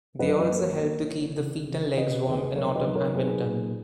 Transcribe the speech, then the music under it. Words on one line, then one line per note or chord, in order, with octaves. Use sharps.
They also help to keep the feet and legs warm in autumn and winter.
F#2 B4 D#5
B4 D#5
A#3
A#4 C#5
A#3
E3
C#3
C#3
C#3 B4 D#5
D#2 G#4 B4
B1 A#4 C#5
B4 D#5
B1
A#4 C#5
B1 G#4 B4
A#2